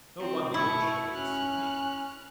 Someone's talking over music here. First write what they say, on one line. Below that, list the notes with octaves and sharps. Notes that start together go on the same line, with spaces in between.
No wonder you are ashamed to see me.
C4
B2 A3 E4 C#6
C#4 F6 F#6